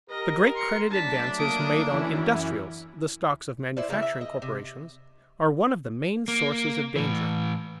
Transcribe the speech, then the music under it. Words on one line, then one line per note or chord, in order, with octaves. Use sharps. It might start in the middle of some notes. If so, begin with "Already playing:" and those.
The great credit advances made on "industrials," the stocks of manufacturing corporations, are one of the main sources of danger.
G4 A#4 D#5 A#6
C6 C#7
F#3 A3 D4 A5 B6
A#3 D#6 D7
F#2 E3 C#4 E4
E4 C5 D5
C#3 A#3 C4 E4
E5
D#5
C3
A#3
A2 E3